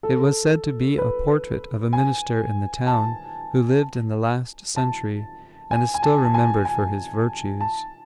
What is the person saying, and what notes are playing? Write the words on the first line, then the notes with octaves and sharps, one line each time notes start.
It was said to be a portrait of a minister in the town, who lived in the last century, and is still remembered for his virtues.
A4
B4
G#5
A5
A5
G#5
G#5
A5
A5
G#5
G#5
A5